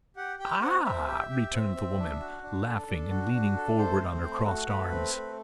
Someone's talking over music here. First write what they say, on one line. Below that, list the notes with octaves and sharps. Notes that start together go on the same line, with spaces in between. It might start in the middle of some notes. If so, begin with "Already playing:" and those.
"Ah!" returned the woman, laughing and leaning forward on her crossed arms.
G4 F#5
G4 G5
C4 F#5
C4 E5
G4
G4
C4
C4
D4
F#4
D4
A4
D4
F#4
D4
A4
A3 C5
C4
A3
F#4
A3 B4
C4
A3